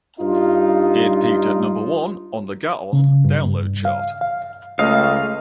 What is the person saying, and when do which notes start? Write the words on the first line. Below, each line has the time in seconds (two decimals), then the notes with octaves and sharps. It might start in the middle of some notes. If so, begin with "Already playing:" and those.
It peaked at number one on the Gaon Download Chart.
0.20 G2 D#4 F4
2.93 C#3
3.25 G2
3.85 F5
4.21 F5
4.79 C#2 A3 D#5 F5